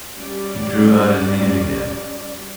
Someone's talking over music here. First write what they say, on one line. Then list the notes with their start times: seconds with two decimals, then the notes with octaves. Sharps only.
He drew out his hand again.
0.16 G3 C#4 F#4 D5